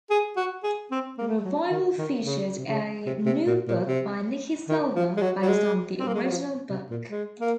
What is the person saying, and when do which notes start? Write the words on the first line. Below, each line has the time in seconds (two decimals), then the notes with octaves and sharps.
The revival featured a new book by Nicky Silver based on the original book.
0.10 G#4
0.36 F#4
0.63 G#4
0.91 C4
1.18 A#3
1.44 F#3
1.71 D#3
1.98 D#3
2.26 C#3
2.58 C3
2.67 C#3
3.06 C3
3.26 C3
3.47 A#2
3.68 A#2
3.87 C3
4.69 D#3
4.96 F3
5.17 G#3
5.22 F#3
5.42 F#3
5.48 G#3
6.00 C4
6.07 A#3
6.14 G#3
6.23 F#3
6.30 F3
6.70 C3
6.91 A#2
7.11 G#3
7.41 A#3